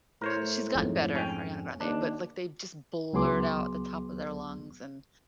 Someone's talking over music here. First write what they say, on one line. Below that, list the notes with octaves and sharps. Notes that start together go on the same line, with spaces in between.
she's gotten better, Ariana Grande, but, like, they just blurt out the top of their lungs and
A2 A#4 C5 C#5
F2 G#2
C#4 G5
D#2 D4
C#2 F#3 B3 G#4 C6 D6